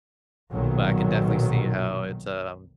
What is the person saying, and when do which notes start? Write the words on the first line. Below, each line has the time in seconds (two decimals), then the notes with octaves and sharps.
but I can definitely see how it's, um,
0.51 B1 A#2 D#3 F#3